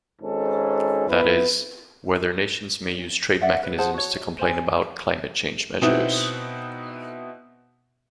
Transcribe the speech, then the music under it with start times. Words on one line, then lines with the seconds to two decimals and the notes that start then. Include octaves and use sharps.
That is, whether nations may use trade mechanisms to complain about climate change measures.
0.22 G#1 G#2 C#4 A4
1.09 B3 E4 B4
3.41 D5 E5 F#5
3.63 B4
3.78 G#4 C5 F#5 A5
3.94 F#4 C#5
4.39 C5 G#5
5.81 B2 B3 C4 D#4 E4